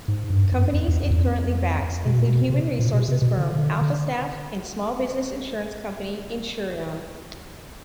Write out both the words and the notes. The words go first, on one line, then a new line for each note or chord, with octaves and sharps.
Companies it currently backs include human resources firm AlphaStaff and small-business insurance company Insureon.
G#2
G2
F#2
F2
E2
F2
E2
F2
B2
A#2
B2
C3
A#2
B2
C3
B2
D3
D3
D3